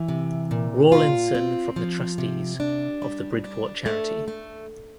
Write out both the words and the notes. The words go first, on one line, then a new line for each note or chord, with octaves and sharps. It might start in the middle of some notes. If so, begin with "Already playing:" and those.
Rawlinson from the trustees of the Bridport Charity.
Already playing: E3
C3
A#2
F4
C4
F3
C3
D4
G3
D4
A3
A3